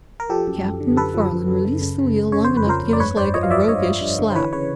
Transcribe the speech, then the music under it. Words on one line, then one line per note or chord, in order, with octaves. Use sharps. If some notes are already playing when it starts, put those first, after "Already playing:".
Captain MacFarland released the wheel long enough to give his leg a roguish slap.
A#4
F3 G4 A4
F#2
F#2
D3
F#2 A4 B4
F3
F#2
F#2
C#3
C#3
C#3
C#3
C#3 C#5
C5
F2
B4
F3 A#4 C5
F2
D5
G2 B4 C#5
G2 C5 D5
F3 C#5 D#5
F5
F3 D5 E5
G2 C#5 D#5
F3
G2
D3
C5
E3 B4 C#5
C#3 B4 C#5